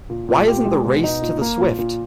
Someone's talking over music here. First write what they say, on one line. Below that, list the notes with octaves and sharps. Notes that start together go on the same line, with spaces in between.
Why isn't the race to the swift?
A#2
A#2
G4
G#3
B2
D#4
A#2
A#3
A#2
A#2